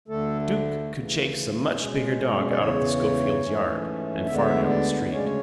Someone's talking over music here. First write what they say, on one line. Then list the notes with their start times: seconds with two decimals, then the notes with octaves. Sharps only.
Duke could chase a much bigger dog out of the Schofields' yard and far down the street.
0.08 D2 D3 A3 A4
0.92 D2 C#3 E3
1.75 B2 G#3 C#4
2.49 D5
2.58 E2 C#3 E3 C#5
3.43 G#2 E3 A3 C#4
4.26 D2 D3 G#3 B3 E5
4.36 D5
4.44 E5
4.69 D5
5.10 D2 C#3 G#3 C#4 C#5
5.17 D5
5.25 C#5